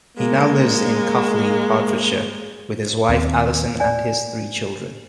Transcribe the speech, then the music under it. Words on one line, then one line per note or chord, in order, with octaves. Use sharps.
He now lives in Cuffley, Hertfordshire, with his wife, Alison and his three children.
G#3 A#3
D#2 C4
D5 G#5